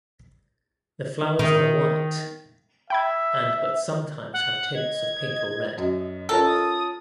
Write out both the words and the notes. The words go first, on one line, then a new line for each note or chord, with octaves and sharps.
The flowers are white and but sometimes have tints of pink or red.
D#3
E5 G5 B5 G#6
F#5
D#5 G#6
F#2
C#4 F4 A4 A#4 A#5
D#6